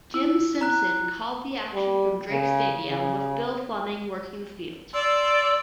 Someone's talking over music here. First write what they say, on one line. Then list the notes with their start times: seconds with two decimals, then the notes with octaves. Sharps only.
Jim Simpson called the action from Drake Stadium with Bill Flemming working the field.
0.14 E4
0.61 A#5 F#6
1.74 G3
2.31 C#3
2.89 C#3
4.94 D5 C6 E6